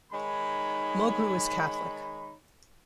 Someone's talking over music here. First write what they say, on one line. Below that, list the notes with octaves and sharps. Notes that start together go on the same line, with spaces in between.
Mulgrew is Catholic.
D#3 G#3 D#4 C#5 B5